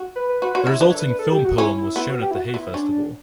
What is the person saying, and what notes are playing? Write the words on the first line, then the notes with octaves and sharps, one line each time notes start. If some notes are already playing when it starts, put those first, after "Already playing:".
The resulting film poem was shown at the Hay Festival.
Already playing: F#4
B4
B4
F#4 B4
F#4
C#5
E4
D4 B4
C#5
A4
B4
B4
A4
G4
F#4
C#4 E4
E4
B3 E4
F#4
G4
E4
F#4
F#4
B3 E4
C#4 D4